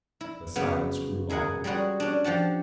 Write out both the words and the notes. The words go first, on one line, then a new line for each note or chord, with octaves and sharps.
The silence grew longer.
E4
C#3 F#3 B3
E4 G#4 A#4 F#5 G#5
G3 G#3 C#4 F#4 G#4
C#4 D4
F3 G4 F#5 A5